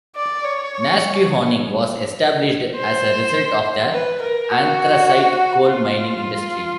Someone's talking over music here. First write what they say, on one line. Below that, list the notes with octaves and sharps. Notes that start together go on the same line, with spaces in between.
Nesquehoning was established as a result of the anthracite coal mining industry.
D5
C#5
C5
B4
A#4
F#4
F4